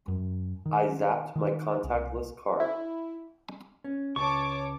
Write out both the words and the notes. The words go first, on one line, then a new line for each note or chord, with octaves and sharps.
I zapped my contactless card.
F#2
D#3
D#3
C2
E4
C#4
C#2 C#5 A5 C#6 D6